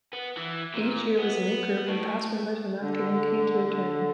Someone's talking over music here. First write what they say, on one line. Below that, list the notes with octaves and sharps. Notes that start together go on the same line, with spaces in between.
Each year was a new group and past members were not guaranteed to return.
B3
E3
A#2
B3
A2
D3